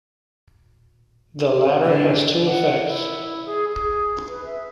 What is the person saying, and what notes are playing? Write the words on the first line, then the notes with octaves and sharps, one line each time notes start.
The latter has two effects.
D3
F#5
E4
G#4
G#4
B4
E5